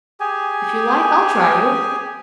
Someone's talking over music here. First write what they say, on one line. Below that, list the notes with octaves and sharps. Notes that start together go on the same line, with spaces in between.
If you like, I'll try you.
G4 G#4 G#5